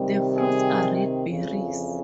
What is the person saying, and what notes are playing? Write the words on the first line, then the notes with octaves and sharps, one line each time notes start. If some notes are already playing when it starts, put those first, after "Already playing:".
The fruits are red berries.
Already playing: C3 D#3 G3 C4
G#4
F2 C#3 E3